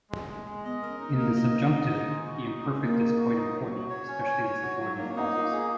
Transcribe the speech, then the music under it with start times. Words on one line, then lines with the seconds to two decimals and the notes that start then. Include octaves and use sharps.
In the subjunctive, the imperfect is quite important, especially in subordinate clauses.
0.10 G#3
0.28 G#3
0.46 G#3
0.65 B3 D#5
0.82 A#4
0.88 C#4
1.00 D#4
1.13 A#3
1.18 A#4
1.36 D#5
1.54 D#4
1.73 D#5
1.91 D#4
2.09 G#3
2.26 F#4
2.45 D#4
2.63 G#3
2.81 A#3 D#4
2.99 D#4
3.17 F#4
3.35 D#4
3.54 F#3
3.71 F#4
3.89 C#5
4.08 C#4
4.25 C#5
4.44 C#5
4.62 F#4
4.80 F#3
4.98 A#3 D#4
5.08 C#4
5.16 B3 D#4
5.24 C#4
5.35 A#3 F4
5.52 G#4